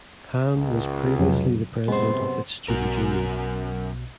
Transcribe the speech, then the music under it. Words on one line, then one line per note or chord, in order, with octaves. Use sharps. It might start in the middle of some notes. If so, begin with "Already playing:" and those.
Han was previously the president of its student union.
C#2
F2 C3 F#3
F#2 C3 G#3 B3 C5
B1 F#2 B2 F#4 A#4